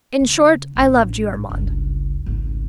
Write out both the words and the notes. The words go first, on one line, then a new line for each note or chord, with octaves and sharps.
In short, I loved you, Armand.
C#3
A1 D4
G1 C#2
G#1 C#2